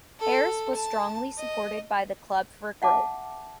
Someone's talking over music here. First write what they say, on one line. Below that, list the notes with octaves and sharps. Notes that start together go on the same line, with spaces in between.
Harris was strongly supported by the Club for Growth.
A4
A5
D#5
E5 F#5 A5 D6